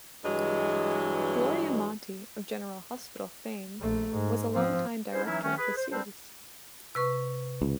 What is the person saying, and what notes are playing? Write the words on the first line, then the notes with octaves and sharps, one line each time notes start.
Gloria Monty, of "General Hospital" fame, was a longtime director of the series.
G2 E3 F#3 G#3
A#1 A3
G#2
F3 C4
C#4 E4 G#4 C5
E3 F#3 A3 C#4 D#4 E4
D#3 A3 C#4
G#4 B4
C5
G3 C4 D4 C5
C3 B4 C#6
C#2